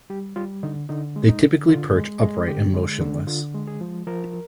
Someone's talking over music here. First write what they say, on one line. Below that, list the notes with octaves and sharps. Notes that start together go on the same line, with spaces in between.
They typically perch upright and motionless.
G3 G4
G3 F4
D3 D#4
D3 D#4
G#3
D#4
D3
D3 F4
G#3
G#3
D3 G4
G#3
D3
D3 F4
G#3
G#4
F3
F3 A#4